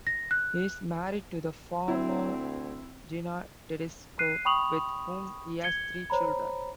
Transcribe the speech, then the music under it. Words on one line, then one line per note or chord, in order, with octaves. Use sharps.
He is married to the former Gina Tedesco with whom he has three children.
A#6
F#6
D2 C4 E4
F#6 C7 D#7
G5 B5 C#6 D#6 F7 F#7
G#6 C#7 G7
C5 C#5 A#5 B5